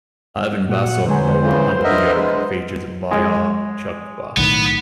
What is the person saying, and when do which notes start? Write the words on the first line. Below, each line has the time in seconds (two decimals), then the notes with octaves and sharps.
Ivan Vazov's novel "Under the Yoke" features Byala Cherkva.
0.69 A#2 F#4 F#5
1.07 D3 F#3 G#3 B4 C5 G#5
1.42 C#3 E3
1.84 D4 A#4 D#5 E5 F#5
2.15 G#3
3.11 G#3
4.37 B1 A2 D#3 B3